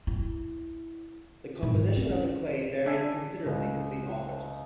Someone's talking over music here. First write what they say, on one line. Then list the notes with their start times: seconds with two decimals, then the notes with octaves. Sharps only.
The composition of the clade varies considerably between authors.
0.07 E4
1.63 G#2
1.97 C#4
2.86 D4 E5 G#5
3.46 C#2